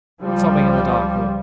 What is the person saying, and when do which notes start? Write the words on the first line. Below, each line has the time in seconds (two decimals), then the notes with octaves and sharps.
Sobbing in the dark hall.
0.21 C#2 F3 G3